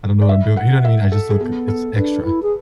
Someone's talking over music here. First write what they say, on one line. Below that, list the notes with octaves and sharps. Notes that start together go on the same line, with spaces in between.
I don't know what I'm doing, you know what I mean? I just look it's extra.
D5
E5
F#5
E5
A4
G#4
B3 A4
A4
D4 B4
E4
G#4